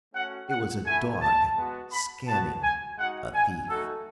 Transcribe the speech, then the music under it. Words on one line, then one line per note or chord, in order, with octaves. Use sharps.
It was a dog scanning a thief.
A3 C#4 F#4 F#5
F#5
A3 E4 G#5
A5
G#3 B3 F#4
B5
B3 F#4 A5
G#5
G#3 D#4 F#4 F#5
G#5
A3 D#4 F#4 A4